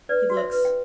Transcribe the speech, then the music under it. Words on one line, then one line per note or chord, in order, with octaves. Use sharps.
He looks.
B4 D5
F#4
E5
B4
G5